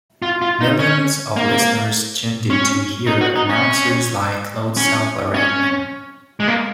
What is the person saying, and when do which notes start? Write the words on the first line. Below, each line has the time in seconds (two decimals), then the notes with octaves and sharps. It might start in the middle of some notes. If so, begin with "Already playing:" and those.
Millions of listeners tuned into hear announcers like Claude Selveratnam.
0.22 F4
0.42 F4
0.61 D#4
0.79 C#4
1.36 A#3
2.50 C#4
3.07 D#4
3.21 F#4
3.36 D#4
3.49 C#4
4.77 C#4
5.34 C#4
6.40 G#3
6.48 A#3